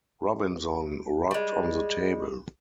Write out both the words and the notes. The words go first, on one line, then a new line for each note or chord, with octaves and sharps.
Robinson rocked on the table.
G3 G#3